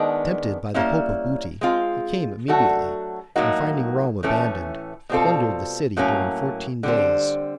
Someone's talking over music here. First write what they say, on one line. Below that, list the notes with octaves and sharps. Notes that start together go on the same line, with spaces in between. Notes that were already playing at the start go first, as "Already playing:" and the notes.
Tempted by the hope of booty, he came immediately, and finding Rome abandoned, plundered the city during fourteen days.
Already playing: D#3 G#3 B3 D4
G3 A#3 C#4 E4
G#3 C4 F4
F#3 A3 D4 F#4 A4
A2 F#3 A#3 D#4 F#4
A2 E3 A3 C#4
B2 G3 C4 F4 A4
A2 F#3 A#3 C#4
D3 G3 C4